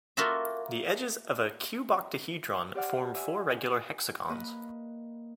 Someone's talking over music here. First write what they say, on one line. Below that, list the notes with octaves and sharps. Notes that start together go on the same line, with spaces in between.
The edges of a cuboctahedron form four regular hexagons.
A#3 F4 F#4 A4 E5
G4 C5 D5 F#5 F6
E5 G#5
A#3 B4 D#5 F#6